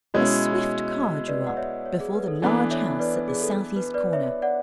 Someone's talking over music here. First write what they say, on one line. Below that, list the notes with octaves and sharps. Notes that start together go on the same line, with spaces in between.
A swift car drew up before the large house at the southeast corner.
B2 G#3 C#4 E4 C#5
B4 D5
F#5
C#5 E5
C#5
G#4
B4
A4
E3 B3 D4 A4
C#5 E5
B4 D5
B4
G#4
A4
B4
B4 D5
C#5 E5
D5 F#5